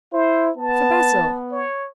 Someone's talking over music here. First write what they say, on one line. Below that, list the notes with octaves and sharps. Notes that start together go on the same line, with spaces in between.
"For Basil?"
E4 C5
B3 A5
C#5